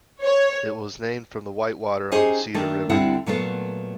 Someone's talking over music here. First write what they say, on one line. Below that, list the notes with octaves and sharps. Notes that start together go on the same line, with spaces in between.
It was named from the whitewater on the Cedar River.
C#5
C#4 D#4 G4 G#4 C5 D#5
D#3 A3 A#3 D4 D#4
D2 D3 G3 C4 E4 F#5
A#2 F#3 A3 B3 D5 F5